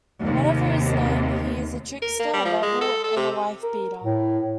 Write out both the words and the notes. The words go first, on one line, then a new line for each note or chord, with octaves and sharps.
Whatever his name, he is a trickster, a rebel, and a wife beater.
D#2 C3
A#4
A#3
G3
F3
G#3
A4
A4
C3
A#4
A2